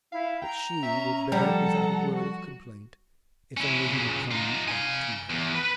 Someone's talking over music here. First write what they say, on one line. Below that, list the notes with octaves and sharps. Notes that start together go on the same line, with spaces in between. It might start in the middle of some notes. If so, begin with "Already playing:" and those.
But she would bear it without a word of complaint if only he would come back to her.
E4 F5
G5 A#5
C#4 E5
F3 G3 A4 F#5 A#5
F#4
C#4 E4
A#2 C#3
D#4 F4
F5 G#5
E2
B4